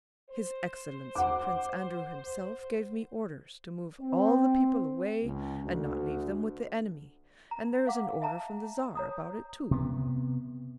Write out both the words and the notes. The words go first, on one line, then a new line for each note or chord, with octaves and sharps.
His excellency Prince Andrew himself gave me orders to move all the people away and not leave them with the enemy, and there is an order from the Tsar about it too.
C5
F#5 D6
C4
C#2
D2
A#5
F5 F#5 D6
E5 A5 A#5
C#5 A#5 D#6
C3 B3